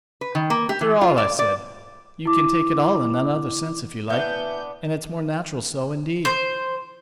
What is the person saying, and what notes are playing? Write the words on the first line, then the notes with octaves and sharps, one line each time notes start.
After all, I said, you can take it all in another sense if you like, and it's more natural so, indeed.
B4
D#3
A#3
G4
E3
F4
D5
D5
E4 D6
E3 B3 D4 E5 G6
C5